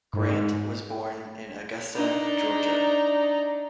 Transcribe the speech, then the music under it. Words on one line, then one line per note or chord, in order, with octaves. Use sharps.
Grant was born in Augusta, Georgia.
G#2
D4 D#4